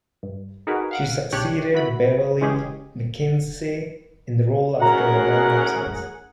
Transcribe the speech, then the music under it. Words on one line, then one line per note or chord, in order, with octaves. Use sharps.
She succeeded Beverlee McKinsey in the role after a long absence.
G2
D#4 F#4 G#4 A#4 B4
F5 F#5 D7
B1 C#3 D4 G4 C#5 F#6
E4 F#4 B5
E3 G#3 C#4 G4 G#4
A2 C#4 F#4 G#4 A#4 F#5 A#5